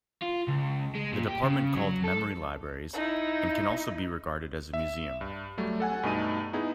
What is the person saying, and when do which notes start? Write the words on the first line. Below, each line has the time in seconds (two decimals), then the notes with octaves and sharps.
The department called memory libraries and can also be regarded as a museum.
0.22 F4
0.48 C#2
0.95 G#3
1.13 A#2
1.28 G4
1.43 C#3
1.75 F#3
2.04 A4
2.93 D#4 E4
4.74 E5
5.21 G2
5.58 F#3 G3 A3
5.80 A4 F#5 G#5
6.03 G2 B2 A3 D#4 D#7
6.53 B3 D#4 E4 G#4